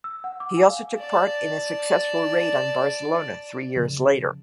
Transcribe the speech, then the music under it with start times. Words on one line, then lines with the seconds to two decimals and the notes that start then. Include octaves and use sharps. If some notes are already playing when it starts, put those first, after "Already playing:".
He also took part in a successful raid on Barcelona three years later.
0.04 E6
0.24 F#5
0.40 D6
0.57 G#5
0.70 F5
0.99 D5 A5
3.76 C#3 F3